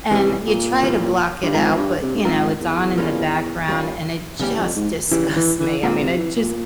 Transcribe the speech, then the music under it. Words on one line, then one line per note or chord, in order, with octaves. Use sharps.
and you try to block it out, but, you know, it's on in the background, and it just disgusts me. I mean, I just
C3 E3 G3 C#4
A#2
E3 G3 C#4
G2
G#2 F3 C4 F4 A#4
G2
C3
G2
G#2 F3 C4 F4 A#4
E2
G3 A#3 C#4 F4
G3 A#3 C#4 F4
E2 C#3 G3 C#4 E4 G4
F2
G#2
C#3 E3 G3 C#4 E4 G4
E3
E3
A#2 G#3 C4 F4 A#4
C3
E3
A#2